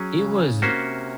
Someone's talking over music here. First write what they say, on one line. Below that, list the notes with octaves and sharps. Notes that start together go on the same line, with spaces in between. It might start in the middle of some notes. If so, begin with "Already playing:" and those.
it was
Already playing: F#3 C#4 G#4
C#3
C3 A#3 C#4 F#4 C5